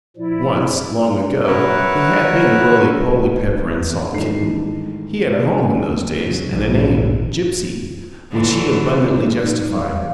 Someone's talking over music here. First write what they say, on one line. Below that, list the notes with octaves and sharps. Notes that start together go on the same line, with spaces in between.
Once, long ago, he had been a roly-poly pepper-and-salt kitten; he had a home in those days, and a name, "Gipsy," which he abundantly justified.
A#2 F3 E4 D5
A#4 B4 C#5 E5 F#5
G#2 D#3 E3 A3 D4 C7
F#3
A#1 G#2 D3 E3
D3 E3 F#3
D#4
G3
F5